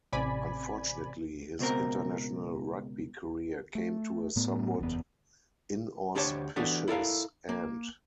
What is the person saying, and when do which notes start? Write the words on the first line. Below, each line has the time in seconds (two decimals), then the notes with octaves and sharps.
Unfortunately his International rugby career came to a somewhat inauspicious end.
0.12 A1 C3 D5 G#5 B5
1.59 C#2 B2 C4 A#4
3.75 A3
4.36 A2 A3 B3
4.79 F#1 E2 G#2 B3
6.15 D2 D4 G4 C5 C#5 A5
6.56 E3 B3 D4 F#4 G4 A4
6.88 E4 A4 A#4 F5
7.49 A#3